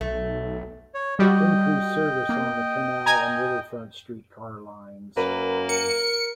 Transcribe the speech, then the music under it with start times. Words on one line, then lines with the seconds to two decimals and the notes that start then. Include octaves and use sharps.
Increase service on the Canal and Riverfront streetcar lines.
0.01 B1 A3
0.95 C#5
1.19 G3 F#4 D#5 G5
2.29 A#3
3.06 G#5 A#5 G#6
5.17 F#2 A#3 B4
5.69 A#4 C#7